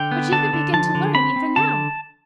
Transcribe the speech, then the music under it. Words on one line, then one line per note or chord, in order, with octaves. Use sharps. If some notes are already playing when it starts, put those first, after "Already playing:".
"But you could begin to learn even now!"
Already playing: D3 G5
B3
D3 A5
D3
F3 A5
D3
C4 B5
C4
D3 A5